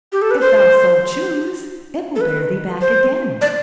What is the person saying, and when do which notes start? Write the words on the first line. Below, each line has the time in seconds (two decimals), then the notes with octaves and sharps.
If thou so choose, it will bear thee back again.
0.12 G4
0.22 A4
0.31 B4
0.41 C5
2.16 A4
2.21 B4
2.81 C5
3.41 D5